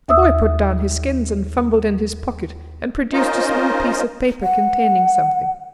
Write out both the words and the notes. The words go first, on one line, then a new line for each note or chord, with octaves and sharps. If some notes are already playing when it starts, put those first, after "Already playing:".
The boy put down his skins and fumbled in his pocket, and produced a small piece of paper containing something.
D#2 E5 D#6 E6
C#4 D#4 F4 A#4 C5 D#5
F#5